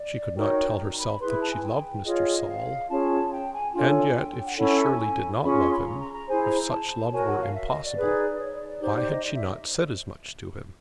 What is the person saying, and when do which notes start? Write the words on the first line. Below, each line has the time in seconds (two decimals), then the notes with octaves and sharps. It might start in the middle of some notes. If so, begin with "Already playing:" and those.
She could not tell herself that she loved Mr. Saul; and yet if she surely did not love him--if such love were impossible--why had she not said as much to him?
Already playing: D5
0.35 D#4 F#4 A#4 C#5 G5
0.77 A#5
0.92 A#5
0.99 B5
1.20 E4 G#4 B4 C6
1.30 B5
1.41 A5
1.51 G#5
1.62 G5
2.04 F4 G#4 C#5 D#5
2.47 F5
2.89 C#4 F4 G#4 C#5 A5
3.32 G5
3.53 G#5
3.73 D4 F4 A4 C#5 G#5
4.17 G5
4.30 G5
4.44 F#5
4.58 C#4 E4 A4 C#5 F#5
4.80 G#5
5.00 G#5
5.42 C#4 F4 G#4 C#5 B5
5.57 C6
5.72 B5
5.85 A#5
5.99 A#5
6.13 A#5
6.27 E4 G#4 C5 G#5
6.42 A#5
6.56 A#5
6.70 A5
7.12 F#4 A#4 C#5 G#5
7.26 F#5
7.41 F5
7.54 E5
7.69 D#5
7.83 D5
7.96 D#4 G#4 B4
8.39 C#5
8.53 D5
8.68 D5
8.81 D#4 G4 C5
8.95 D5
9.10 D#5
9.24 D5
9.34 E5